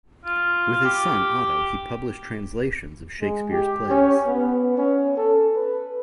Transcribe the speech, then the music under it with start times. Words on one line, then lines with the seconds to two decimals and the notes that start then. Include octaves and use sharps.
With his son, Otto, he published translations of Shakespeare's plays.
0.25 F4
0.85 G4
3.22 G#3
3.51 G4
3.90 C#4
4.27 B3
4.77 C#4
5.17 A4
5.56 B4